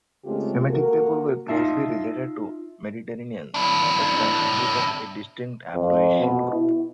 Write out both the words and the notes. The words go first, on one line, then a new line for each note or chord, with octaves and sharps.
Semitic people were closely related to Mediterraneans but constituted a distinct "Afroasian" group.
C#3 G#3 A3 C4 F4 G4
A#3 F#4 A4 A#4
D#4 F4 E5 A5
D4 E4
F2
B2
E4